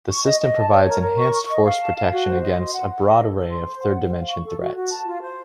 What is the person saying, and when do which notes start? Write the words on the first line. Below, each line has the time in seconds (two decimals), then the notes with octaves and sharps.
The system provides enhanced force protection against a broad array of third-dimension threats.
0.09 C#6
0.25 D#5
0.40 D#5
0.56 A5
0.71 C#5
0.86 A#4
1.02 A#4
1.17 C#6
1.33 C#6
1.49 D#5
1.65 F5
1.79 A5
1.96 F5
2.11 F#4
2.26 C5
2.41 D#5
2.57 C6
2.72 F#5
2.89 F#5
3.04 D#5
3.20 A4
3.36 A4
3.51 C6
3.66 C5
3.82 F#5
3.97 C5
4.12 F5
4.28 C#6
4.44 A4
4.59 F#4
4.75 F#4
4.90 A5
5.05 F4
5.21 C5